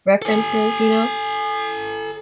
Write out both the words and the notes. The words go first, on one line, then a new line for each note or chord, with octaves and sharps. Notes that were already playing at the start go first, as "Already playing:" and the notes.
references, you know?
A4 G#5